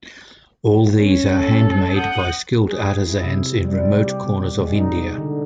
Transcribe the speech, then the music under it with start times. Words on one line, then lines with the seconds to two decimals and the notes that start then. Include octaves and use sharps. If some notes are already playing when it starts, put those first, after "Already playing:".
All these are handmade by skilled artisans in remote corners of India.
0.98 C#4
1.33 A4
1.94 F#5 D#6 G6
2.68 G#4
3.06 E4
3.24 C3
3.64 G3
4.00 G4
4.23 B2
4.58 G#3
4.76 D#4
5.18 D3